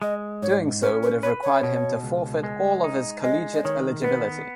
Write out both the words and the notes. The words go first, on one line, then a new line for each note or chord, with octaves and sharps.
Doing so would have required him to forfeit all of his collegiate eligibility.
G#3 D#5
G#2 C#5
C#4 B4
B4
B4 C#5
C#5
B2
C#2
G#3
D#4
G#3 D#5
D#5
D#3 C#5
G#4
B3 B4